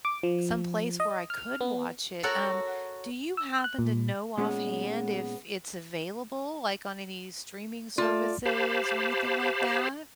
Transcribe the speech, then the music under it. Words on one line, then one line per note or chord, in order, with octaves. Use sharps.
some place where I could watch it. Um, do you happen to know offhand if it's available, like, on any streaming services or anything like that?
D6
F3
D#5
F6
B3
F#4 A4 A#4 C#5 F#5
E6
F#6
A#2
A#2 G#3 A3 B3 C#4
A3 F4 D5 A5
G4 C5 F5 A5 B5